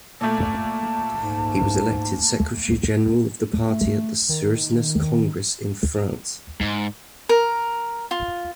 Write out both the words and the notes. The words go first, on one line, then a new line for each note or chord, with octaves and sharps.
He was elected Secretary General of the Party at the Suresnes Congress, in France.
A#2 A3 A5
G#2
A3
D#3
G#2
A#4
F4